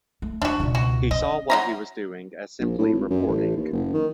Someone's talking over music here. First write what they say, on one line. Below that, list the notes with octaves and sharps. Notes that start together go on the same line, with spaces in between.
He saw what he was doing as simply reporting.
A3
D#2 D4 F#4
C#2 B2
F#4
C#4 D#5
F#3 D#4 A#5
A#1
A2
G#1
F#2
A1
D#2
F#1
D#3